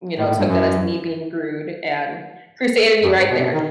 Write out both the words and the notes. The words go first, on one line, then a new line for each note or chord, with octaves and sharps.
you know, took that as me being rude and crusaded me right there.
A2
A2
G2
F#2
F#2
G2
B2
C3
B2
D#3